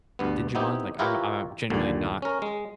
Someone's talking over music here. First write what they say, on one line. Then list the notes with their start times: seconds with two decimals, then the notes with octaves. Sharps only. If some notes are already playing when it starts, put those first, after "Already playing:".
Digimon? Like, I'm no I I'm genuinely not
0.19 D2 G2 B3
0.55 B3 C4 D#4 E4 G4
0.99 E4 F4 G4 A#4 B4 C#5
1.70 A#1 D#2 A#2 D3 G3
2.22 C#4 A#4
2.42 G#3